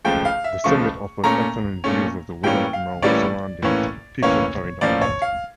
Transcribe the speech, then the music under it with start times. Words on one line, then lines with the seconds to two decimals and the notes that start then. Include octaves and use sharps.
The summit offers excellent views of the well known surrounding peaks of Torridon.
0.05 C#2 C#3 F3 A3 G5
0.25 F5
0.44 E5
0.64 C#2 C#3 F3 A3 C#6
1.24 A#2 A3 C#4 A#5
1.84 A#2 A3 C#4
2.43 A2 E3 G3 A#3 C#4 G5
2.73 F5
3.02 A2 E3 G3 A#3 C#4 D5
3.62 A2 E3 A#3 C#4
4.23 A2 E3 A#3 C#4 C#5
4.81 A2 F3 A#3 C#4 D5
5.01 C#5
5.22 F5